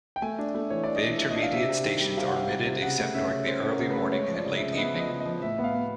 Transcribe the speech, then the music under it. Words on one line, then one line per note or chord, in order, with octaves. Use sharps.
The intermediate stations are omitted except during the early morning and late evening.
G5
A3 G#5
D4
A3
E3 C#5
D4 D5
D#5
E3
E5
E3
D#5
D4
F5
C3 E5
C3
D#3
G3
C3 F5
F#5
G3 F5
C3
C3
C#3 F#5
A3
C#4 E5
C#3
C#4 C5
C#4 A#4
C#3
B4
A3
G#3 C#5
F3
D5
C#3
E5
C#3
D#5
B3 E5
F3
D#5
C#3
D#5
F3
A2 E5
B3
F5
B3